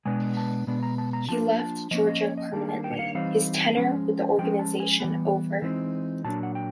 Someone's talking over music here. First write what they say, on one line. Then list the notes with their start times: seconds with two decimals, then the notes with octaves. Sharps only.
He left Georgia permanently, his tenure with the organization over.
0.05 B2 G#3 B3 D4 G#5
0.37 A5
0.67 B2 G#3 B3 D4
0.83 A#5
0.98 A5
1.13 A#5
1.29 C#3 F3 A#3 D4 A5
1.60 A5
1.91 F3 A#3 C#4 D#5
2.07 D#5
2.22 C#5
2.37 D#5
2.53 D#3 G3 A#3 D4 A5
2.69 A5
2.84 G5
2.99 F5
3.15 E3 G3 C4 D#4 F5
3.77 F3 G#3 C#4
4.38 F3 G#3 C#4 G5
4.59 A5
4.80 G#5
5.00 E3 G3 B3
5.62 E3 G#3 C4 D#4
6.24 A#2 F#3 A#3 D4 A5
6.43 F#5
6.55 G5